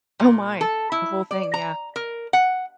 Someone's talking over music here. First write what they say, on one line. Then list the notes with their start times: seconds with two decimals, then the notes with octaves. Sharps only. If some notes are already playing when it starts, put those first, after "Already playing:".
Oh my. The whole thing, yeah.
0.20 A#2
0.61 A4
0.92 E4
1.31 D5
1.54 A#5
1.96 A#4
2.33 F#5